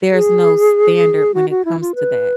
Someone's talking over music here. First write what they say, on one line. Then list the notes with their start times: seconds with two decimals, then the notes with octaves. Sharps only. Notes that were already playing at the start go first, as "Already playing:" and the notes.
there's no standard when it comes to that.
0.13 G#4
1.34 F#4
1.50 F#4
1.65 E4
1.80 F4
1.95 B4